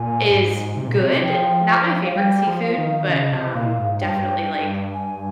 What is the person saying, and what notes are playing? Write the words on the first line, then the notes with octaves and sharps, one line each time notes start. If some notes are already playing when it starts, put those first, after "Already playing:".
is good, not my favorite seafood but, um, definitely like
Already playing: A#2 G#5
G#2
C3
A#2
C3
F3 G5
F5
G3 G5
F3
F5
D#3
C#3 D#5
C3
A#2 F5
G#2
G2 G5
G#5